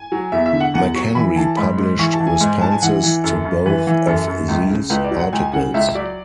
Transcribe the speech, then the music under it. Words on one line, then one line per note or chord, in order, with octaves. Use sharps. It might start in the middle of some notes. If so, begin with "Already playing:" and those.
McHenry published responses to both of these articles.
Already playing: G#5
F#3
E2 E5
E5
D3
F#5
E2 F#5
F#3 C#6
E3 B5
E3 A5
G#2 B5
G#2
E3 C#6
A5
E3
G#5
G#2
G#2 A5
G#5
E3 F#5
E3
F#2 A4
F#2
E3 B4
E3
F#2 A4
F#2
C#2
C#3
C#2 B4
D5
F#3
F#5
C#2 G#5
C#3 F#5
C#2 E5
F#3 D5